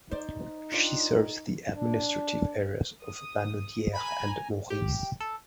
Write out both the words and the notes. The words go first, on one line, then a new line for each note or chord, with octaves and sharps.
She serves the administrative areas of Lanaudière and Mauricie.
D#4 C5 D5
C4 D4 F4
D4
D#6
G#5 A#5 B5
G4
A4